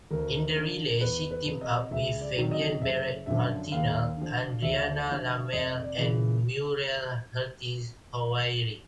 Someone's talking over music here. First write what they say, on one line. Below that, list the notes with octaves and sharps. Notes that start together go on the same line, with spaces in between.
In the relay, she teamed up with Fabienne Beret-Martinel, Adrianna Lamalle and Muriel Hurtis-Houairi.
D2 A#4
D3 F3
E2 B4
B4
C3 F3
D#5
C#2 E5
D5
C3 D#3 F#3
D#5
F#1 E5
F#2 D3 F3 E5
D#2 F5
D3 F3
D2 E5
D3 F3
F1 D#5
D5
C#3 E3